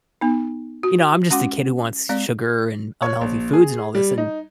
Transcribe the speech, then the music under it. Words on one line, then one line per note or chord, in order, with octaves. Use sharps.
you know, I'm just a kid who wants sugar and unhealthy foods and all this, and
B3 D#4
F#4
G#3 C#4 F#4 F#5 C6 D6
G#3 C4 D5
C#5
A#1
G#4
G3
D#4